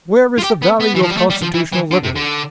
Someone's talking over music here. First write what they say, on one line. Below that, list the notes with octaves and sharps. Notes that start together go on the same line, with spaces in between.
Where is the value of constitutional liberty?
F4
G4
B3
B3
E3
F3
G3
A3
G3
F3
E3
E3
D3
C3
D3